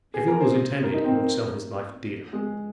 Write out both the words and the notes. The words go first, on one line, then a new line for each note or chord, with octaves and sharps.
If ill was intended, he would sell his life dear.
G#4
A#4
C5
A#4
D#4
C4
A#3
G#3